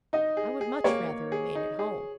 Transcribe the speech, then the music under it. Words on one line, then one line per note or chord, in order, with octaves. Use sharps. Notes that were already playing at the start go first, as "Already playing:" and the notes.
I would much rather remain at home.'
D#4 D#5
G#4
G#4
A#3 C#5
A#3
G#4
D#4
G#4